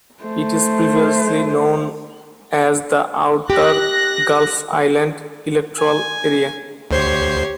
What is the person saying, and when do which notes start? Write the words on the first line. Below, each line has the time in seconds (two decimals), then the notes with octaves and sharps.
It is previously known as the Outer Gulf Islands Electoral Area.
0.23 A3 C5
3.50 G4 F#6 A#6
5.79 G#5
6.91 D2 G4 C5 C#5 C7